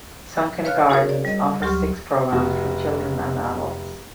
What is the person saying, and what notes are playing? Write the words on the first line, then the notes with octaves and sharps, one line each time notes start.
Sunken Gardens offers six programs for children and adults.
B4 C#5 F5 F6 F#6
D#4 F#4 G#4 A#4 C#5
D5
G3 D#5
D2 F#3 G4 C6 C#6 F6
F1 F#4